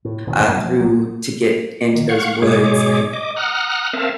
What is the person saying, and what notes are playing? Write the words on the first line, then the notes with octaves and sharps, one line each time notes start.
uh, through to get into those woods,
A2
D#1 E2 B2 D#3
A1 F#2 B2 A3
F3 G3
A#1 A2 F#3 B3
D#3
F5 F#5 C#6
G#2 B2 G#3 G#4 C#5 D6
D#5 D6
F#5 A#5 D#6 F6 F#6
C4 A#4 E5 F5 A5